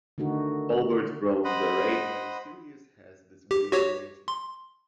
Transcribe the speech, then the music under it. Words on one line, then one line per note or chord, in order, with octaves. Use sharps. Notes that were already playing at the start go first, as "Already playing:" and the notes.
"Albert" from The Railway Series has this wheel arrangement.
D3 D#3 A3 D#4 F#4
C5 D#5 F#5 B5
G4
F#4 G4 C#5
C6